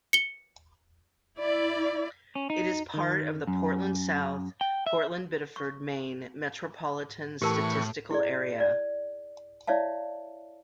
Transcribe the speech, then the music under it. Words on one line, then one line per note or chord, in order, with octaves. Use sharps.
It is part of the Portland-South Portland-Biddeford, Maine, metropolitan statistical area.
C#7 G7
E4 D5
C#4
D#4
D#3
F#2
G5
E5
C#6
A2 E3 G4 A#4 A5 C#6
E4 G#4 D5
D5
E4 C#5 D5 E5 F5 A5